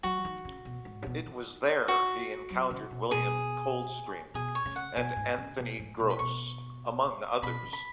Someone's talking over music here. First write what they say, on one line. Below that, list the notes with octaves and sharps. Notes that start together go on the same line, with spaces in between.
It was there he encountered William Coldstream and Anthony Gross, among others.
F#3 F#4
D#3
C#3
B2
G#2
C#3
B2
D#3
F#4
F#3
C#3
B2
B2 G#4
B2 G#4
C#5
C#3
F#5
B2 G#5
G#2
C#3
B2
G#2
B2
B5
B2 C#6
B2 B5
C#3
B5